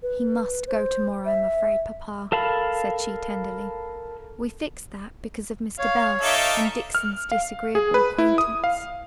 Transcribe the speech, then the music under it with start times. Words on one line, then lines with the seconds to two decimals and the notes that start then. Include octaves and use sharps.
'He must go to-morrow, I'm afraid, papa,' said she, tenderly; 'we fixed that, because of Mr. Bell, and Dixon's disagreeable acquaintance.'
0.03 B4
0.67 C5
1.26 E5
2.32 A4 A#4 F5 A5 B5
5.79 C#5 F5
6.22 D#4 A4 E5 F5 C#6 D6
6.95 F6
7.32 F5
7.75 G#4
7.94 B4
8.18 E4
8.38 D#6
8.64 F5